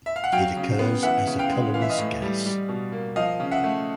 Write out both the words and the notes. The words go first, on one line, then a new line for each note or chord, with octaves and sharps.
It occurs as a colorless gas.
E5
F5
F#5
F#3 F5 G5
C#3
B3
E3 E5 F#5
C#3
F5 G5
G#3
E3 F5
E5
D#5 F5
A2
G3
G3
B2
A#3
F3 D#5 F5
C#3
E5 F#5
A3